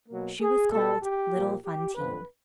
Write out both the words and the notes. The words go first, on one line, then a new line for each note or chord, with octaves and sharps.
She was called little Fantine.
B2 F#3 A#3
G#4
B2 G3 B3 A4
G4
A#2 F3 A#3
G4
F2 D3 F3 B4